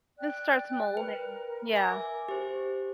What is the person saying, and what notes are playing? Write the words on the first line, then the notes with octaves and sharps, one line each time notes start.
It starts molding, yeah.
D5 G5 F#6
A#4 B4
E5 G#5 D6
G4 C5